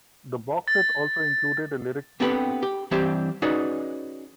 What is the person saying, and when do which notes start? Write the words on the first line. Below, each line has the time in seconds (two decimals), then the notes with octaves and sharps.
The boxset also included a lyric book.
0.68 A6
2.20 B3 C4 D4 G4 A4 B4
2.63 G4
2.91 E3 G3 C4 D4 G4 C5
3.42 C#4 D#4 F#4 G#4 B4 D5